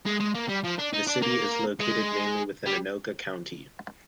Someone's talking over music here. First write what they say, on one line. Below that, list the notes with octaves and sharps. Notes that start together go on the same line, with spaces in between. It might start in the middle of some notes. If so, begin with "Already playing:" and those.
The city is located mainly within Anoka County.
G#3
G#3
A#3
G3
F3
D4
D#4
D4
A#3
G#3
G3